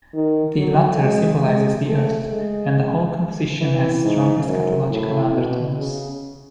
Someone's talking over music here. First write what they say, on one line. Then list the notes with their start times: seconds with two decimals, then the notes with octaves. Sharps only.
The latter symbolizes the Earth, and the whole composition has strong eschatological undertones.
0.14 D#3
0.58 F#3
1.01 G#3
1.43 G#3
1.88 A3
2.30 G#3
3.61 E3
4.04 G#2
4.47 F#2
4.90 A2
5.34 B2
5.77 C#3